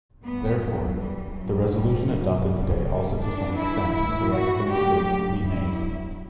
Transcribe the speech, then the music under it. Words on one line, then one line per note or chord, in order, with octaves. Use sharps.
Therefore, the resolution adopted today also to some extent corrects the mistake we made.
G2 E3 B3
F#3
F#2 E3 G3
F#3
E2 B2 F#3 G3
E2 C#3 F#3 G3
G3
G2 E3 D4
E4
A2 E3 E4
F#4
D2 C#3 F#3 G4
G2 F#3 E4